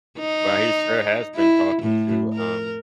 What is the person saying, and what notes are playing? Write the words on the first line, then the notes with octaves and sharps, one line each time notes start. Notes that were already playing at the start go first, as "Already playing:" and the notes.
Well, he sure has been talking to, um
D#4
E4
A2
A#4